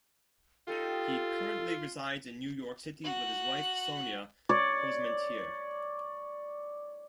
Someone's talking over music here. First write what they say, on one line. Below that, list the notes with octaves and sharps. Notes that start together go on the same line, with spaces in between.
He currently resides in New York City with his wife Sonya Posmentier.
D#4 F4 G4 A4
F#4 F#6
C#5 D5